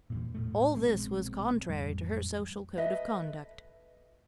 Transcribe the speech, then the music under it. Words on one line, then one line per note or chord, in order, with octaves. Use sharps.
All this was contrary to her social code of conduct.
E2 G2 A#2
E1 A2 A3
A#1 B2 G#3 C4
A1 F2 G3
A4 B4 D#5 E5